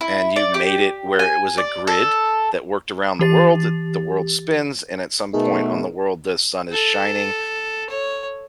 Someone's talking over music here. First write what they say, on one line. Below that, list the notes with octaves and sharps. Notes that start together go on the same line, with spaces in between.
and you made it where it was a grid that worked around the world, th the world spins, and at some point on the world, the sun is shining
E4
D5
G4
G#5
D5
A4
E3 G4 A6
B2 A3 D#4 G#4 A#4
A4
C#5